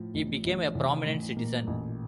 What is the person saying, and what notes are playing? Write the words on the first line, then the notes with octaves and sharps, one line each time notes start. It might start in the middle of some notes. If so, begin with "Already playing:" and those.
He became a prominent citizen.
Already playing: A2 F3
A1
A1
A1 C3
A2
A#2 A#3
A1